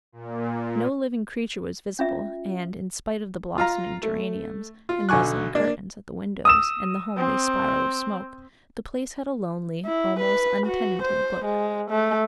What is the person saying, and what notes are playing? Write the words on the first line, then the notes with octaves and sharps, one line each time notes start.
No living creature was visible and, in spite of the blossoming geraniums and muslin curtains at the windows and the homely spiral of smoke, the place had a lonely, almost untenanted, look.
A#2
C#4 F4 E5
F4 F5 A#5
A3
F4
B1 D3 G#5 C#6 F#6
A#3 D4
D#6 E6 E7
C4
E4
B4
F#4
C5
G#3
A3